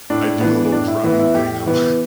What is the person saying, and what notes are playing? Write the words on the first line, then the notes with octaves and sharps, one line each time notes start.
I do the little drumming thing on my
A2 D4
E3 B3
A2 D4
E4
E3 B3 E4
E4
A2 G4
E3 B3